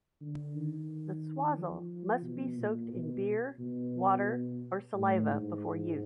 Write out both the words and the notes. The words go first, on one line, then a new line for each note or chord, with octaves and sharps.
The swazzle must be soaked in beer, water, or saliva before use.
D3
D#3
F3
B2
A#2
B2
B2
A2
G#2